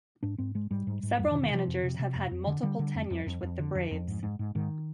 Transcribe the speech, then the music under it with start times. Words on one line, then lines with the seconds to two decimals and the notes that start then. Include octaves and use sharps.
Several managers have had multiple tenures with the Braves.
0.23 G#2 D4
0.38 G#2 C4
0.55 G#2 G#3
0.71 G#2 G3
0.87 G#2
1.03 G#2
1.19 F2 G3
1.31 D#3
1.35 C3
1.43 D#3
1.51 C3 F3
1.67 F2
1.83 C3
1.99 C3
2.15 F2
2.31 F2
2.47 D3
2.63 D3 G3
2.79 D3
2.95 F2
3.11 F2
3.26 F2
3.43 F2
3.59 D3
3.75 F2
3.91 F2
4.07 G#2
4.23 G#2
4.39 G#2
4.55 G#2 D#3